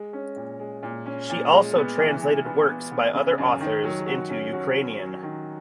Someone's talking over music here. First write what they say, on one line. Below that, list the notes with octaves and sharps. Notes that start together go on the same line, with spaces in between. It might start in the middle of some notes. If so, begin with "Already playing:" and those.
She also translated works by other authors into Ukrainian.
Already playing: G#3
C#4
A#2
G#3
A#2
C#4
A#2
G#3
B3
E3
E3
B3
B3
B3
C#3
F#2
D#3
F#3
F#4
C#4
F#4
C#4
F#3
D#3